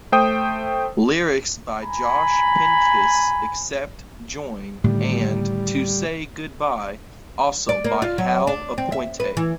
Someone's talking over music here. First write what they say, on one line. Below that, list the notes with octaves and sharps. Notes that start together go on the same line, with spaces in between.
Lyrics by Josh Pincus except "Join" and "To Say Goodbye" also by Hal Aponte.
A3 C5 G5 D#6
G#5 A#5 B5
A2 D3 D#3 G3
D5
A#3
F4
F#3
D4
C4
E5
B4
E3